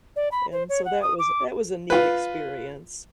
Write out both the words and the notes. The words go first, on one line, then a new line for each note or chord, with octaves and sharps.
and so that was that was a neat experience.
D5
B5
C5
C#5
F#5
D#6
D6
F4 B4